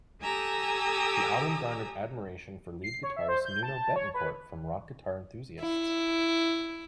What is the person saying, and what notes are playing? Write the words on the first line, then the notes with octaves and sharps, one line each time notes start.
The album garnered admiration for lead guitarist Nuno Bettencourt from rock guitar enthusiasts.
G4 A4 G#5 A#5 D#6 E6
C7
C#5
E5
C5
G6
A5
C#5
B4
E4